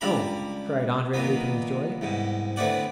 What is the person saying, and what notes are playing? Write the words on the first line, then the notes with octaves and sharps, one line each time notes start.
"Oh," cried Andrea, leaping with joy.
C#2 G3 D4 A#5 B5
A#2 D#3 F#3 B3
C2 G#2 B2
D2 A2 B3 C4 D5 F#5